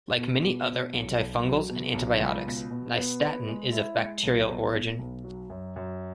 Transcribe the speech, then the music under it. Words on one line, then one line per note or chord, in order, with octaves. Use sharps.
Like many other antifungals and antibiotics, nystatin is of bacterial origin.
B2
B2
B2
B1
B1
F#3
B2
B1
C#2
B2
B2
B3
B4
G#3
E4
G#3
B1
B2
B2
B1
F#3
F#2
F#2